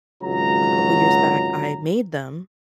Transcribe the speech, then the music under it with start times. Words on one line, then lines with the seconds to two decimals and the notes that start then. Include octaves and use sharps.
a couple years back, I made them,
0.22 G#1 C#2 F#3 F#4 A#5